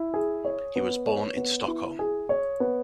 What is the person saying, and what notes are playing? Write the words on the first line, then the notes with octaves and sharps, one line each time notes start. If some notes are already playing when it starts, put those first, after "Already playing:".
He was born in Stockholm.
Already playing: E4
G#4
C#5
B3
C#5
B3
E4
G#4
C#5
B3